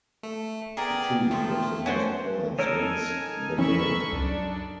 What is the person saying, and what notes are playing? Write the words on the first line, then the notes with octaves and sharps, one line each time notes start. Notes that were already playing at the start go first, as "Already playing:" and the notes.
The team with the most points wins the game.
A3
B3 G#4 A#4 D5 G5
D#3 F3 A3 A#3
A3 C#4 D4 F#4 B4 C5 F#5
D#4 A4 A#4 C#5 G#5
F3 C#4 E4 B5 C#6 E6
C#2 F#2 D4